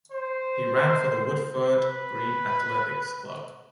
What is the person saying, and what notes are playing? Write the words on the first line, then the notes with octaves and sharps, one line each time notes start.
He ran for the Woodford Green Athletics Club.
C5
B4